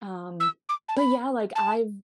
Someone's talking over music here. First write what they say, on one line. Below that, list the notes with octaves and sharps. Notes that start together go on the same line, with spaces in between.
um, but yeah, like I've
E6
D6
A5
B5
A5